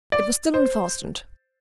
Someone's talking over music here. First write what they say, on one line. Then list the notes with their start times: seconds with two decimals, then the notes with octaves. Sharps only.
It was still unfastened.
0.12 D5
0.54 C5